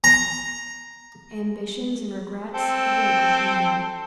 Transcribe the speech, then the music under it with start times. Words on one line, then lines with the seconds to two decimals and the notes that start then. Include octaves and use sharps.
Ambitions and regrets awake within him.
0.04 A#5
2.53 C4 A4 G5